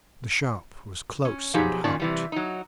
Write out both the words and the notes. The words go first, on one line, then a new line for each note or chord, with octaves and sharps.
The shop was close and hot.
C#4
B2 F3 F#3 D#4 G4 G#4
A#2 D#3 C#4 D5 A5
C3 E3 G3
F#3 D#4